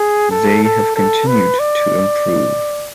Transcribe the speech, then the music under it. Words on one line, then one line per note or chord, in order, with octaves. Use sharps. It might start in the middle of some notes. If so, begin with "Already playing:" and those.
They have continued to improve.
Already playing: G#4
A4
A4
A4
B4
D5